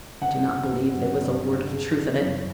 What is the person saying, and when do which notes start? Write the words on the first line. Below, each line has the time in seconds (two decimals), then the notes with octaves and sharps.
I do not believe there was a word of truth in it.
0.22 G2 F#5
0.46 D3
0.71 G1
0.96 F#3
1.21 G2
1.46 D3
1.71 C#3
1.96 E3
2.21 F#2